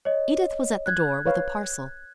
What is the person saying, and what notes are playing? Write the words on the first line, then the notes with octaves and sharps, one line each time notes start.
Edith was at the door-with a parcel.
C#5 D#5
F#6 G#6
B4 C#5 F5